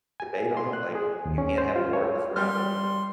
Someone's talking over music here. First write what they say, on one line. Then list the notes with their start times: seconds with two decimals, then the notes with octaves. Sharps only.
debate on? Like, you can't have a war 'cause we're not gonna fun
0.20 G#5
0.57 C6
0.73 F#6
0.95 G#4
1.26 D#2
1.38 C#4
1.58 C5
1.76 F4
1.93 C#5
2.36 G3 G5 C6 F6